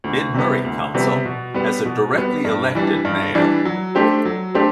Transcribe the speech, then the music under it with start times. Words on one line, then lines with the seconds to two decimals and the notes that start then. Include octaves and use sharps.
Mid Murray Council has a directly-elected mayor.
0.04 D2
0.34 C3 G3 B3
0.65 D2
0.94 C3 G3 B3
1.25 B2
1.54 G3 B3
1.85 B2
2.14 G3 B3
2.45 G2
2.75 E3 G3 D4
3.05 G2
3.35 E3 G3 D4
3.65 F#3
3.95 A3 D4 G4 C5
4.25 F#3
4.55 A3 D4 G4 C5